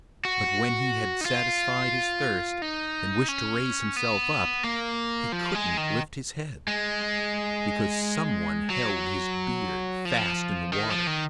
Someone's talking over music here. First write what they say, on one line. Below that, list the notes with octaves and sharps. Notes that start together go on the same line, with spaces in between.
But when he had satisfied his thirst, and wished to raise himself up, he couldn't lift his head, because someone held his beard fast in the water.
F#4
D#4
F4
D#4
C#4
B3
A#3
F3
G#3
D#3
G#3
F#3
F3
D#3
F3
D#3